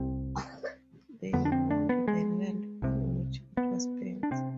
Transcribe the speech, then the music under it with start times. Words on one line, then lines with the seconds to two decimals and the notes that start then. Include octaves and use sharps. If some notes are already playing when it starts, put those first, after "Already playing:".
They owned the land on which it was built.
Already playing: C2 C3 C4
1.33 F2 D3 B3
1.45 D4
1.52 C4
1.71 D4
1.89 B3
2.08 G#3
2.82 C2 C3
3.57 B3
4.23 D4
4.31 C3 C4